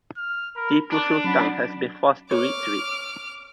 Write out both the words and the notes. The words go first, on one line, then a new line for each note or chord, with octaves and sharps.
Tipu Sultan had been forced to retreat.
F6
A#4 B5
D4 D5 D6 F#6 A6
F#3 C#4 F#5 B5
C#5 D6 F6